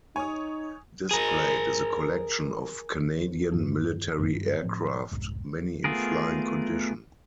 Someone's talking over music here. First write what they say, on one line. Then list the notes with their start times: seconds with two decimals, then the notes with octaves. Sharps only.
Displayed is a collection of Canadian military aircraft, many in flying condition.
0.16 D#4 C#5 G#5 D#6
1.11 G#4 A#4
3.52 G2 D#3 A#3 D4
4.18 A1 F#2 G#3 C4
4.35 G2
4.62 A2 F3 C4
5.12 F1 C2 G#2
5.84 A3 B3 F4 G#4 A#4